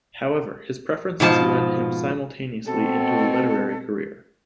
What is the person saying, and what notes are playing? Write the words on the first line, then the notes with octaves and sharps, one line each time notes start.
However, his preferences led him simultaneously into a literary career.
G#2 B2 F3 A5
B2 C4 A4